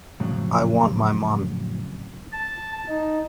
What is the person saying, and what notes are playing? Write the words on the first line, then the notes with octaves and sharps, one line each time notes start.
I want my mommy.
F2 A2 C#3 F#3
A5
D#4